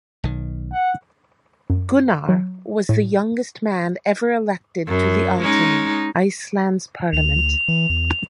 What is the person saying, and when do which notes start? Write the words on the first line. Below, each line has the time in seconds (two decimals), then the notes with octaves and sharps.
Gunnar was the youngest man ever elected to the Althing, Iceland's Parliament.
0.24 B1 D#3
0.72 F#5
1.70 F#2
2.29 F#3
2.89 A2
4.88 F#2
5.41 G#3 C#4 D#4
7.13 D2 F7
7.68 E3
7.90 E2